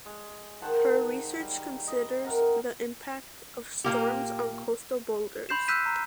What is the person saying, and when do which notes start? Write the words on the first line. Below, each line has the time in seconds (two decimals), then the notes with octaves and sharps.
Her research considers the impact of storms on coastal boulders.
0.06 G#3
0.61 D#3 C5 F#5 A5
1.40 G3
1.87 D#5 B5
2.24 C3 A#4 F#5
3.84 A#2 F3 A#3 G4
5.49 B5 C6 G6 C7 E7
5.68 E6 F#6 G6 B6 D#7 E7
5.86 A#5